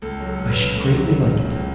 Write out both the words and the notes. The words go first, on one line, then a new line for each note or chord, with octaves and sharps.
'I should greatly like it.
C#2 A4
F#3
A4
C#2
B4
C#3
C#2 A4
F#3
C#2
C#3
C#2